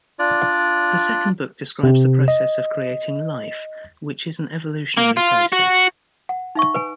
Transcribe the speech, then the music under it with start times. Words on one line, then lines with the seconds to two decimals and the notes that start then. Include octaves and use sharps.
The second book describes the process of creating "life", which is an evolutionary process.
0.19 D4 F4 D5
1.83 C3
2.28 D#5
4.97 A#3
5.17 F4
5.52 F#4
6.29 F#5
6.55 D#4 E5 C#6
6.74 B4 G#5